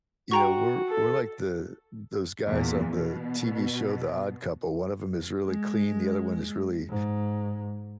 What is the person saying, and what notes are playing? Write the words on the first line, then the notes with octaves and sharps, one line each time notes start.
you know, "We're we're like the those guys on the TV show, The Odd Couple; one of them is really clean, the other one is really
F#4 G5 A#5 C#6
A4
E2 A#2
B2
G#3
G#2